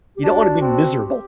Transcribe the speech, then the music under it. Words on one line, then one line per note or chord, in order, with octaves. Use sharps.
"You don't wanna be miserable."
G4
D4 F#4
C4
G4